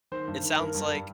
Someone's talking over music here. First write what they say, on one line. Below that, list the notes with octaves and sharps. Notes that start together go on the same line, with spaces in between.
it sounds, like,
D#3 C5
G2
D#3
G2 A#4
G2
G3